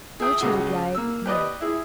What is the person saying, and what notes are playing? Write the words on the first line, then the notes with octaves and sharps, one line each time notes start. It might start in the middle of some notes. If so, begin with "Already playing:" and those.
To which he replied, "No."
G#4 E5 G5 D#6
C#2 C#3 F#4
A#3 E6
G4 B4 D5 D#5
E4 G#4